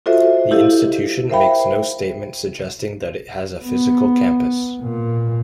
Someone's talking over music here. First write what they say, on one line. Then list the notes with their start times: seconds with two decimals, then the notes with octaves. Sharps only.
The institution makes no statement suggesting that it has a physical campus.
0.06 F4 F#4 A4 C5 D#5 E5
0.51 E4 G4 A4 D#5 F5
1.30 A#4 C5 E5 F5 G5 B5
3.64 B3
4.81 A#2